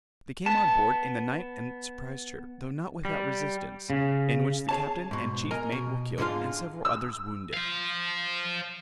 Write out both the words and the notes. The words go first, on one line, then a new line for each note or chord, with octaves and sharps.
They came on board in the night and surprised her, though not without resistance, in which the captain and chief mate were killed, and several others wounded.
B3 A5
G3
C#3
G#4 C#5 A5
G#2 B2
A#4 D#5 G#5 A#5
B2
G#2 D3 G#3 A3 F4 F5
E6
C5 F5